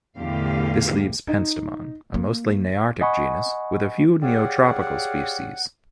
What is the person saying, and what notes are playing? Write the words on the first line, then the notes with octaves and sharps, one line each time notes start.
This leaves "Penstemon" a mostly nearctic genus, with a few neotropical species.
E2 A2 D3 G4 F5
D#4
A#3
D#5 F#5 G#5 B5 C#6
G4 G#4 C#5 D5 F5 F#5